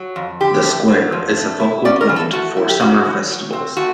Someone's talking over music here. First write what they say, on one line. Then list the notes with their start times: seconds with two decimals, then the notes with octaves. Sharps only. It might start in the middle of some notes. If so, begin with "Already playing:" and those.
The square is a focal point for summer festivals.
Already playing: F#3
0.16 F2
0.41 D3 G4
0.64 A3
0.88 F#3
1.12 F2
1.36 A3
1.60 E4
1.85 C#4 D5
2.01 A#4
2.09 E3
2.16 A4
2.33 A3 F#4
2.57 E4
2.69 G4
2.80 C#4 F#4
3.05 E3
3.28 F#3
3.53 C4
3.77 A3 F#4